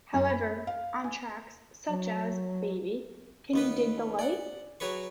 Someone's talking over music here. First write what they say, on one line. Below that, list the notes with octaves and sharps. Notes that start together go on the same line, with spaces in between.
However, on tracks such as Baby, Can You Dig the Light?
F#2
B5
F5
G#5
F#3
D#2 B3 B4
D5 F#5
F#3 G#4 B4 C#6